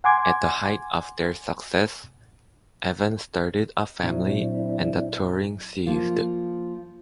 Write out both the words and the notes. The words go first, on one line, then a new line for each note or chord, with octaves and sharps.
At the height of their success, Evan started a family and the touring ceased.
F#5 G#5 C6 D6 G#6
A#2 F#3 C4 D4 E4
F3 A#3 F4